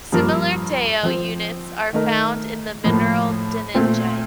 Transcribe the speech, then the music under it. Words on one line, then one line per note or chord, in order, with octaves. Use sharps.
Similar TeO units are found in the mineral denningite.
G2 F3 A#3 F4 A#4
F3 C4 F4 C5
D#3 A3 D#4 A#4
A2 F3 A#3
A#2 A3 C4 F4